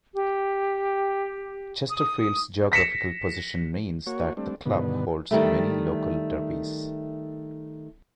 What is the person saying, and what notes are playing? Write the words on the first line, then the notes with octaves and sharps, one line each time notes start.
Chesterfield's geographical position means that the club holds many local derbies.
G4
D#6
A#6 B6 C#7 E7
A#3 F#4 C#5
G3 A3 C4 D4
G2 B2 D3 D#3 B3
D#3 G3 A3